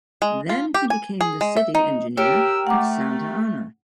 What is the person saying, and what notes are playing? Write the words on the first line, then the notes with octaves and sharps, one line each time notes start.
Then he became the City Engineer of Santa Ana.
G#3
F4
G4
G#5
G#4
G#3
E5
D#4
G4 A#4 C#5 E6
A3 F#5 A#5 D6